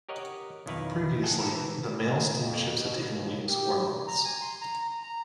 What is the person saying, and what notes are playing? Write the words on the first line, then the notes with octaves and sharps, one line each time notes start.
Previously, the mail steamships had taken weeks or months.
G4 A#4 C#5 D#5 F#5
B1 F2 D#3 E4 B4 F5
G#4 A4 E5 F#5 G5
G4 A4 A#4
E3 C4
G#3
F2
B2
D#2
G4
A#5
G#5
C6
A#5
A#5